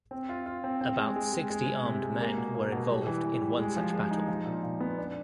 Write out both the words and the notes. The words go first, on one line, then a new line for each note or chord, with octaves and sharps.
About sixty armed men were involved in one such battle.
C4
F4
F4
C4
C4
G#3
G#3
G#3
G#3
C3
C3
G#3
A#3
B2
A#3
B2
G3
E3
E3
G3
G#3
F3
G#3
D#4
F3
A#2
A#2
B3
D4